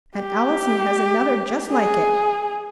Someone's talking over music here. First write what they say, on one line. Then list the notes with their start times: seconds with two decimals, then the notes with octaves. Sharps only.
And Allison has another just like it.
0.17 G4
1.72 G#4